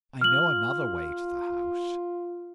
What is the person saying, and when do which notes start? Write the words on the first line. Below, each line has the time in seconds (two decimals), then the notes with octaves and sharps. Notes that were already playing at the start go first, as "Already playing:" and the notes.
I know another way to the house.
0.21 F4 F6 F#7